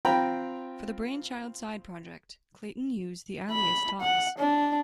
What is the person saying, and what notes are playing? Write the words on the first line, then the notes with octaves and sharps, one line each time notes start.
For the Brainchild side project, Klayton used the alias Tox.
C4 F4 G5 A#5 B5
B5
F#5
D4